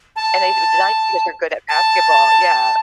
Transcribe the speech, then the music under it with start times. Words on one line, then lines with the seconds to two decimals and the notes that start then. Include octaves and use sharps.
and they decided because they're good at basketball, yeah.
0.16 A5
1.69 A5